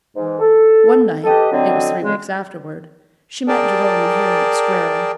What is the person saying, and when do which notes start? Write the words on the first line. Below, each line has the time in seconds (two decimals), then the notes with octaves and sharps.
One night--it was three weeks afterward--she met Jerome and Harriet squarely.
0.16 G#2 E3
0.40 A4
1.25 G4 A4 B4 D#5
1.51 D3 F#3 C4 D#5
2.02 C#3 G#3
3.48 G#4 A#4 D5 G5 A5